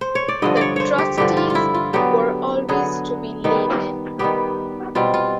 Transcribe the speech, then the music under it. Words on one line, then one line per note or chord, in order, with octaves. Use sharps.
The trustees were always to be laymen.
C5
C#5
D5
G2 D3 F3 D#5
C#5 D5
C5 C#5
G4
G2 D3 F3 G4
F4
F4
E4
F4
D3 F#3 B3 G4
D3 F#3 B3 G#4
D#3 G3 B3
D#3 G3 B3 G4
B2 G3 C4 F4
F4